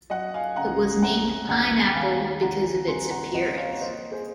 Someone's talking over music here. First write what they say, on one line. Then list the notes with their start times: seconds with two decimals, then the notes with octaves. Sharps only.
It was named "Pineapple" because of its appearance.
0.10 F#3 D#5 F#5
0.34 F5 G#5
0.56 C#3 F#5 A#5
1.02 C4 F#5 A#5
1.49 D#2 F#5 A#5
1.95 D#3 F5 G#5
2.42 C3 F#5 A#5
2.87 C2 G#5 C6
3.11 F#5 A#5
3.34 C2 D#5 F#5
3.57 C#5 F5
3.81 A#3 C5 D#5
4.11 G#4 C5